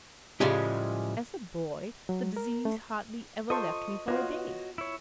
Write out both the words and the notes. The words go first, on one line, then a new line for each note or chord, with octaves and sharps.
As a boy, the disease hardly ever left me for a day.
A2 C#3 F3 G3 G#3 G4
F#3
A#4
A3
F4 A4 C5 D#5 C#6
B3 F4 F#4 C#5 D#5
E4 C#5